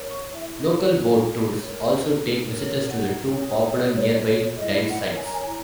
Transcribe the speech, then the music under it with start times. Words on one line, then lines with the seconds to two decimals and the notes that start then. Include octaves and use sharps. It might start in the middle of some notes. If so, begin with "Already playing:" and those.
Local boat tours also take visitors to two popular nearby dive sites.
Already playing: A#4 C#5
0.10 C#6
0.31 E4 E5
0.60 D#5
0.74 A#4 C#5
0.88 F#5
1.17 D#4
1.60 A#4 C#5
2.03 D#4
2.46 A#4 C#5
2.88 D#4 F#5
3.31 G#4 C#5
3.74 D#4 D#5
3.96 C#5
4.07 C#5
4.17 G#4 C#5 D#5
4.39 C#5
4.56 E5
4.60 E4 D#5
4.88 F#5
5.03 A#4 C#5
5.17 G#5
5.24 A#5
5.32 G#5
5.45 E4 A#5